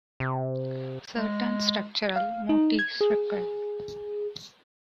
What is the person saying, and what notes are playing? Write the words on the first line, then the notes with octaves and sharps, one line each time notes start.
Certain structural motifs recur.
C3
G#3
F5
D#4
G#6
G#4